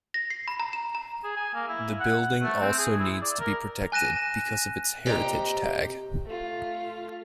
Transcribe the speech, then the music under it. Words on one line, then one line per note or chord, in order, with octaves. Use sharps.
The building also needs to be protected because of its heritage tag.
A#6
C7
B5
A#5
E7
A#5
G#4
G#5
A#3
E4
F#5
A3
C4
G#4
E4
D5
A#4
G#5 F#6 A#6 D#7 E7
C3 G4 B4 D5 D#5 A#5
A3 F4